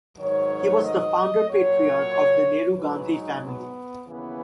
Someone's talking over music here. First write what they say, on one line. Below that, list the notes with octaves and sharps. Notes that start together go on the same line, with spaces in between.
He was the founder patriarch of the Nehru-Gandhi family.
G#2 D#3 F#3 C#5
D#5
A#2 F#3 C#5
G#2 F#3 B4
D#4
B3
D#2 C#3 E3 B3